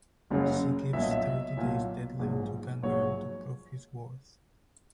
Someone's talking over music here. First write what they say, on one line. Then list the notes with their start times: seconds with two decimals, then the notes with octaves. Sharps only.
She gives thirty days deadline to Gangaram to prove his worth.
0.30 F#1 F#2 C#3 F#3
0.93 B1 A#2 F#3 E5
1.02 D#5
1.11 E5
1.57 B1 A#2 F#3
2.19 A#1 G#2 F#3
2.83 A#1 G#2 F#3 C#5